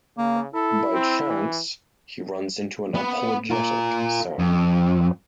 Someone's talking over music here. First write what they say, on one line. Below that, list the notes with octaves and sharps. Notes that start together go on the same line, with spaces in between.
By chance, he runs into an apologetic Sam.
C#3 A#3
E4 A4
C4
E3
B3
F4 A#4
F2